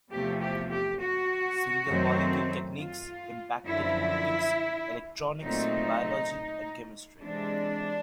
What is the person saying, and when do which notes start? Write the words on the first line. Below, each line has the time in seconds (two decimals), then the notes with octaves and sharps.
Single-molecule techniques impacted optics, electronics, biology, and chemistry.
0.11 E2 C3 F3 A3 G4
0.40 G4
0.71 G4
1.00 F#4
1.89 F#2 D#3 F#3 A3 C4
2.78 F4
3.66 F#2 D3 F3 E4
5.44 A#2 F#3 A3 C4 D#4
7.22 C3 E3 G#3 D4